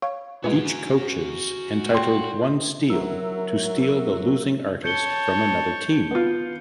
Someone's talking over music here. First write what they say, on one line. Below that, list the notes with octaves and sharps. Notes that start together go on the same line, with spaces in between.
Each coaches entitled one "Steal" to steal the losing artist from another team.
C#5 F5
A#2 E3 G#3 F#4 B4 G#5
G5 C6
F#3 A#4 E5
C#5 A5 G6 C#7 G7
B3 F4